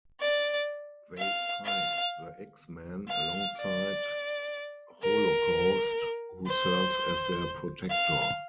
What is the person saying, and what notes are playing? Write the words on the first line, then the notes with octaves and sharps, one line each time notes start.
They fight the X-Men alongside Holocaust who serves as their protector.
D5
F5
F5
F5
D5
A#4
C5
F5